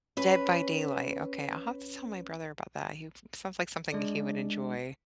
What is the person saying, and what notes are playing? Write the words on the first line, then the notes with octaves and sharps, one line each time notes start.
Dead by Daylight. Okay. I'll have to tell my brother about that. He sounds like something that he would enjoy.
C#4 B4
G#3 D4 D5